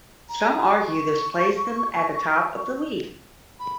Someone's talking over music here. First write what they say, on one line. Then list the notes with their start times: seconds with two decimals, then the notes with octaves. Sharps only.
Some argue this placed them at the top of the league.
0.29 A#5
0.77 C#6
3.60 B5